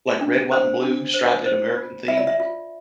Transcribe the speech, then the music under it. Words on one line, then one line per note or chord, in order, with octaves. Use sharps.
like, red, white, and blue, striped, American themed.
D4
C5
D4
C5
C5
F4
F4 E5
D5
E5
F4